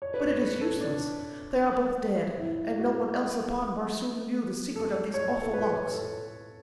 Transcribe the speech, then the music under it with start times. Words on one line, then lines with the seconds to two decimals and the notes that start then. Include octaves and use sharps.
But it is useless, they are both dead and no one else upon Barsoom knew the secret of these awful locks.
0.02 C#5
0.14 B4
0.21 C#5
0.42 B4
0.61 A4
0.81 D4
2.38 E4
2.78 F#4
4.76 A4
5.14 C#5
5.42 A4
5.53 B4
5.88 B4
5.94 A4